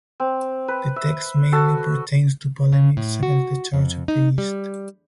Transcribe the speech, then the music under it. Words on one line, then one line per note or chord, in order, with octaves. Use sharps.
The text mainly pertains to polemics against the Church of the East.
C4
B4
E5
F#4 A4
C#3
A2
F#4
F2
D#4
G3